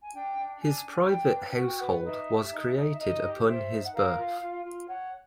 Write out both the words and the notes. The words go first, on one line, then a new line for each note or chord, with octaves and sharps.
His private household was created upon his birth.
G#5
D4 G5
D4
D4 G#5
D4
D4 G5
B4
F#4 F#5
G5
B4 F#5
D#4 E5
G4
D#4
D#4
E5
D#4 D#5
G4
C5 E5
D#4
F#5
A#4 F5
F4
F4
F4
C#5 F#5